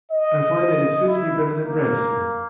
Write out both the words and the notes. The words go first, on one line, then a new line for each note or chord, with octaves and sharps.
"I find that it suits me better than bread, sir."
D#5
E4
A#3